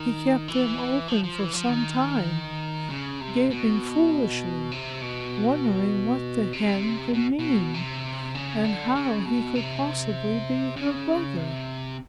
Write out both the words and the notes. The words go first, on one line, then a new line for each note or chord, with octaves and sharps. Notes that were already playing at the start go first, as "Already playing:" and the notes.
He kept them open for some time, gaping foolishly, wondering what the Hen could mean, and how he could possibly be her brother.
Already playing: D#3
E3
F3
F3
E3
F3
D#3
C#3
C3
B2
C3
B2
C3
B2
B2
C3
C#3
D3
C#3
B2
C3
C#3
C3